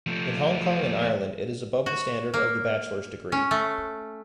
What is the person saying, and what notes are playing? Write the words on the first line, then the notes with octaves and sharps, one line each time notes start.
In Hong Kong and Ireland it is above the standard of the bachelor's degree.
F3 A3
F#4
A#3
C#4
A3